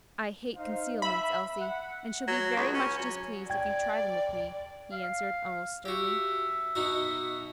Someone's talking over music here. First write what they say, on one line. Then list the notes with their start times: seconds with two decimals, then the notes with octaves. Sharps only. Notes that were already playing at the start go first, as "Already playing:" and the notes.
"I hate concealments, Elsie, and shall be very much displeased if you try them with me," he answered, almost sternly.
0.56 D#4 C5 F5
1.02 E5 B5
1.58 F#5
2.28 F#3
2.56 C#2
2.74 C#4
2.99 F#3
3.50 D5 G5 G#6
4.92 F5
5.85 F#4 G4 E5
6.75 B2 D#4 F#4